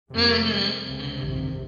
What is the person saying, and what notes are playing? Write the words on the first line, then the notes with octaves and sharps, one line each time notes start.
Mhm, mhm.
F2 C3 G#3
C#2 C#3
F1 A#1 G2